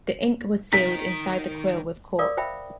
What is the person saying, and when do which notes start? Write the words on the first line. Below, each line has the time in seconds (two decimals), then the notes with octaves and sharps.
The ink was sealed inside the quill with cork.
0.73 D#3 A#4 B6
2.19 A#4 D5 F5 D6 D#6
2.37 C5 E5 G5 B5